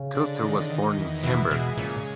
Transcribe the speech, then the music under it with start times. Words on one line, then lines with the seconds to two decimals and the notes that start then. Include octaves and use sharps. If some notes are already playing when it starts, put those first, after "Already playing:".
Koester was born in Hamburg.
Already playing: C#3
0.15 D3
0.42 D#3
0.69 D#3
0.97 E2
1.23 B2 E3
1.51 B2 G#3
1.77 A#2 C#3